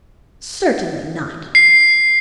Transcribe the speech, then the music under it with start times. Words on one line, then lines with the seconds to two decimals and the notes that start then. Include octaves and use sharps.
"Certainly not!"
1.55 C7